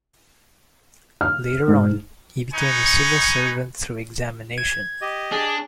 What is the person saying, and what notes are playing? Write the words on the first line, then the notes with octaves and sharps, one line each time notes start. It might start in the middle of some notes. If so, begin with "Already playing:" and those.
Later on, he became a civil servant through examination.
F6
G#2
D#4 B4 G#5 C#6
G#6
G4 D#5
D4 G#4